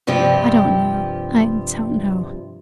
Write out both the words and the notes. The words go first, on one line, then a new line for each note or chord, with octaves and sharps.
"I don't know, I don't know."
G2 C3 F3 G4